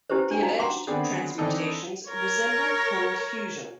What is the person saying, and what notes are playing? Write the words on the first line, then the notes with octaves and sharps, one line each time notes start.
The alleged transmutations resemble cold fusion.
C#4 E4 G4 B4 C5
D4 G5
D#4 F#4 F5 A#5
F#5 G5 A#5 C6 D6
D3 D#3 B3 C4 D4 G#4
E3 C4 D4 D#4 A4
A#4 C#5